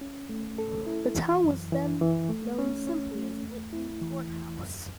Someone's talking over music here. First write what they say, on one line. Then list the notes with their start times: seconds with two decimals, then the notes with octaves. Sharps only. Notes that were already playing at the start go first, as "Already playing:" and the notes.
The town was then known simply as Whitley Courthouse.
0.01 C#4
0.29 A3
0.58 A4
0.87 E4
1.15 E3
1.44 F#2
1.72 E3
2.01 E3
2.29 A3
2.58 C#4
2.87 C#4
3.15 A3
3.44 E2
3.73 E4
4.01 E3
4.29 E2
4.58 F#2